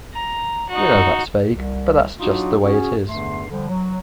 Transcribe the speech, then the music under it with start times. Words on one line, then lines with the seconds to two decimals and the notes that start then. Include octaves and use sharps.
We know that's vague, but that's just the way it is.
0.13 A#5
0.69 D#4 F#4
1.52 C2
2.20 F#3 D4 D#4 F4 F#4
2.63 C#4 F#4 G#4
3.08 E2 G2 D3 A3 C6
3.50 D3 F3 G3
3.69 F#3